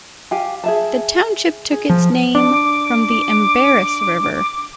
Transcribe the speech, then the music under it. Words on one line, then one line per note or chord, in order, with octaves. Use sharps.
The township took its name from the Embarrass River.
G4 F5 G#5
G#4 E5 A5
G#4
F3
D4 D6